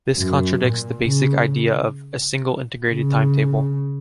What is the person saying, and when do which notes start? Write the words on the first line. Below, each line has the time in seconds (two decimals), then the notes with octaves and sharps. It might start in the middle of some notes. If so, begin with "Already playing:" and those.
This contradicts the basic idea of "a single Integrated Timetable".
0.17 F#2
0.62 A#2
1.08 C#3
2.89 C#3